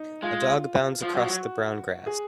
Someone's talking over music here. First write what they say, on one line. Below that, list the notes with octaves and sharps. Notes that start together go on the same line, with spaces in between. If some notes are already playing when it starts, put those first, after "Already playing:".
A dog bounds across the brown grass.
Already playing: D#4
G#3 F4
F3
F#3 F#4
F3
F#3
G#4